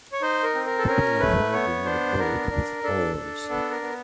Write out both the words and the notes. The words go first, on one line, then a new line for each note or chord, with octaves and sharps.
People are riding in a boat with oars.
C#5
D#4 C5
A#4
C4
A#4
A4
C#4 A#4
A3 B4
B3 C#5
D4 C5
B3 A#4
D4
D4 A4
D4
B3 A4
A#4
B3